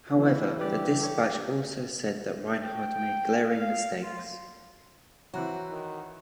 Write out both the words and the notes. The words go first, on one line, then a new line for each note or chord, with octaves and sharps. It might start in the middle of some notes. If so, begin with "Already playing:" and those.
However, the Dispatch also said that Rinehart made glaring mistakes.
B2 E3
G2 G4 B4 D5
A4 C#5
G5
F5
F4
E3 C4 E4 F#4 C#5 A#5 F#6
D#3